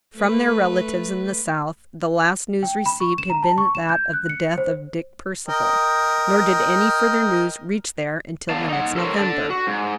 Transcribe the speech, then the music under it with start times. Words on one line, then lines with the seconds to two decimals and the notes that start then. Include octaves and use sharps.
From their relatives in the South the last news received had been that of the death of Dick Percival, nor did any further news reach there until the next November.
0.16 A3 B4
2.63 G5
2.86 B5
3.00 C#6
3.18 E7
3.30 A#5
3.43 A5
3.58 C#6
3.75 E7
3.89 G6
4.13 F#6
4.29 C#7
4.58 C5
5.48 A#4 D#5 G5
8.50 B3 D5 F5 A5
8.68 D#4 F#5
8.96 A4 A#4 C5 C#5 A5
9.16 D4 A4 D5
9.50 F#4
9.67 G#2